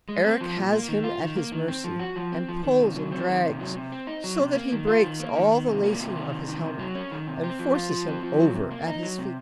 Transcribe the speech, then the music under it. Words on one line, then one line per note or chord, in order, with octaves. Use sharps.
Erec has him at his mercy, and pulls and drags so that he breaks all the lacing of his helmet, and forces him over at his feet.
G#3
C4
F3
A#2
A#3
D#3
F4
D#3
A#3
D#3
C4
F3
F#4
F3
C4
F3
D#3
C3
F#3
C4
D#3
C3
F#3
C3
C4
D#4
F#3
C3
A#3
D#3
F4
D#3
A#3
D#3
D#3
C3
A#3
C3
D#3
C3
D#3
C3
F#3
C#4
D#3
C3
C4
F3
F4
F3
C4
F3
F#3
C3
A#3
D#4
F#3
C3